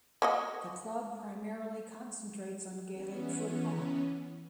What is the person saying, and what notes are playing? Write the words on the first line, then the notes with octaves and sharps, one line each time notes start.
The club primarily concentrates on Gaelic football.
A#3 F#4 D#5
E3 B3 C#4